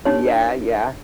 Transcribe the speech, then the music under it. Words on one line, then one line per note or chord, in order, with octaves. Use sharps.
Yeah, yeah.
D4 D#4 G4 C#5